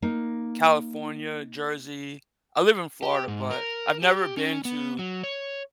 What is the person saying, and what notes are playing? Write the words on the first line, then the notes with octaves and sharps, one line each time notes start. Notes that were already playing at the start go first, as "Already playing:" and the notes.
California, Jersey. I live in Florida, but I've never been to
A#3 D#4
G4
G#2
A#4
G4
C#4
B3
F#3
C#5